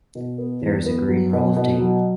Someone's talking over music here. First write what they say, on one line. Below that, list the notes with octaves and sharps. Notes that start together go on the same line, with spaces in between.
There is a green roll of tape.
B2
B3
E2
B3
F#3
B2
B2
F#3